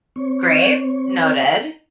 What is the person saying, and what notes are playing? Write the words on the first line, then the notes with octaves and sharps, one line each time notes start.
Great. Noted.
C4 C#5